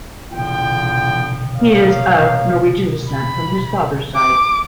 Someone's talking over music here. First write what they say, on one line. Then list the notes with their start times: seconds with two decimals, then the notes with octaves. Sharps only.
He is of Norwegian descent from his father's side.
0.33 E2 D3 F4 G5
1.56 F#1 A#3 C#5 F5
3.11 B5
4.16 D6